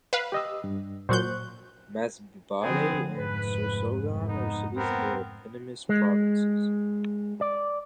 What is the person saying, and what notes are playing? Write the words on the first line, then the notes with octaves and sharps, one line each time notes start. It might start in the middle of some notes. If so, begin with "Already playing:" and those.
Masbate and Sorsogon are cities in their eponymous provinces.
B4 F5
G4 D#5 E6
G2
A#2 F#3 C5 C#6 F#6 G6
D3 F3 B3 C4 G#4
F1 G#2 B4
B3 D#4
B3 C4 A#4
G#3
D5